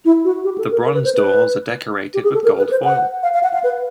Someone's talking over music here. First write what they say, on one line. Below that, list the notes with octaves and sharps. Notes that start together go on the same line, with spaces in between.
The bronze doors are decorated with gold foil.
E4
F#4
G4
A4
A#4
A#4
B4
C5
B4
G4
G#4
A4
A#4
B4
C5
F#5
F5
F5
F#5
F5
B4